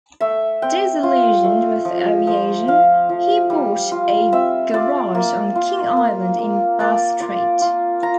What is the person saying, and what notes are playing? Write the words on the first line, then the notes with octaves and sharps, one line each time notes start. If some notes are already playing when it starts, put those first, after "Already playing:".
Disillusioned with aviation, he bought a garage on King Island in Bass Strait.
A3 E5
C4 G5
F4
A3
F3
F3
F3 F5
F3
G3
F4
C4 E5
F4 D5
A#3
F4
A#3
A#3
A#3 D5
F4 D5
F4
F4 A#5